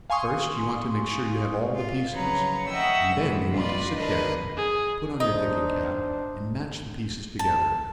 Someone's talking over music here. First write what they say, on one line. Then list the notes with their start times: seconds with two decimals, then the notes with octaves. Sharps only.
First, you want to make sure you have all the pieces, and then you want to sit down, put on your thinking-cap, and match the pieces together.
0.10 F5 G#5 C6 C#6 D#6
1.75 F4
2.11 C#3 F3 F#3 B4 C#5 A#5
2.70 D#5 E5 F#5 G5 C#6 E6
3.16 A2 C3 E3 F3
3.56 F4 B4 D5 D#5
3.97 D4 A#4 B4 D#5
4.57 G#4
5.20 D4 D#4 C5
7.39 A5